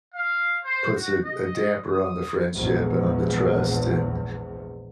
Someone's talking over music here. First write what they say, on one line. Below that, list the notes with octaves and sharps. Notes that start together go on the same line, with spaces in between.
puts a a damper on the friendship and on the trust, and
F5
C5
F#4
D#5
D#6
A#1 E2 G#2